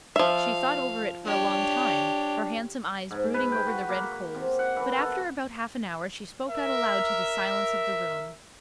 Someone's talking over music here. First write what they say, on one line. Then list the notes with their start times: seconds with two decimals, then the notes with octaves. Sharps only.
She thought over it for a long time, her handsome eyes brooding over the red coals, but after about half an hour she spoke out aloud to the silence of the room.
0.16 F3 E5 F5
1.25 D4 G4 C#5
3.11 G#2
3.34 B4
3.52 G5
3.67 F#4
3.89 A#3
4.35 C3
4.59 F#5
4.77 E3
4.98 A4
6.50 A#4 E5